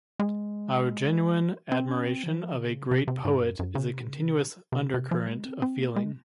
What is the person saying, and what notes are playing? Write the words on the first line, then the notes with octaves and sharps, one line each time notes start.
Our genuine admiration of a great poet is a continuous undercurrent of feeling.
G#3
C4
C#4
C4
F3
C#3
C3
C3
G#2
F#2
F#2
C#3
C3
C#3
C3
C3
C3
F3
G#3
C4
C4
A#3
G#3